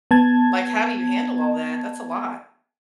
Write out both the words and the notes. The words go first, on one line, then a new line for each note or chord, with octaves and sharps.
Like how do you handle all that? That's a lot.
B3 A5 G#6